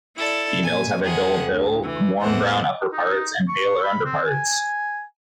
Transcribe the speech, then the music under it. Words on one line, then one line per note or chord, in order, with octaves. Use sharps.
Females have a dull bill, warm brown upperparts and paler underparts.
E4 A4 D5
A#2 G#5
F2 C3 G#4 F#5
D2
E3
E2 A2 E3 C5 F#5
D#4
C#6
B5
C4
G#5